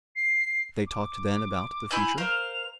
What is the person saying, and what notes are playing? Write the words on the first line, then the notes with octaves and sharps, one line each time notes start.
They talked then about the future.
C7
D6
E4 G#5 G6 F#7
A#4 C5 F5 F7